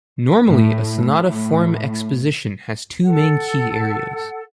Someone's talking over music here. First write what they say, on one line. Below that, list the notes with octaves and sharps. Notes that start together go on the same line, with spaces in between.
Normally, a sonata form exposition has two main key areas.
A2
A2
A4 F#5